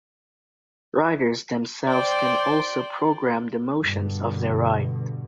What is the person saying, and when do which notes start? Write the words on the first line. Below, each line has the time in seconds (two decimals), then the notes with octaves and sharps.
Riders themselves can also program the motions of their ride.
1.87 C5 D5 G5
3.80 G2 B2 D3